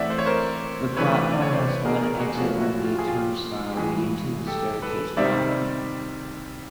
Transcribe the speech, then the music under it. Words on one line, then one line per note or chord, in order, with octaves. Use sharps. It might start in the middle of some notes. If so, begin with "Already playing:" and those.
The platform has one exit-only turnstile leading to the staircase balcony.
Already playing: A2 E3 A3 C4 D5 E5 F#5
C5
C#5
A#4 C5
C3 E3 A3 D4 B4 C#5
D5
C#5
C5 D5
B4 C#5
G#4 A#4
G#4 A#4
F#4 G#4
A#2 F3 A3 C#4 F#4 G#4
E4 F#4
F4 G4
G#4
F4 G4
G4
G2 E3 G#3 F#4 G#4
G4 A4
A4 B4
C3 D#3 G3 C4 D#4 D5 E5